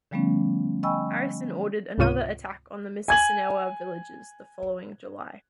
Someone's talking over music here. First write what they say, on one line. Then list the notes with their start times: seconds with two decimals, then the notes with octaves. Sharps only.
Harrison ordered another attack on the Mississinewa villages the following July.
0.11 D3 F3 G3 A3 B3 C#4
0.83 D#5 G5 G#5 B5 C#6 E6
1.98 C#2 G#2 C3 F4 C#5 D#7
3.08 G#5 G#6 F#7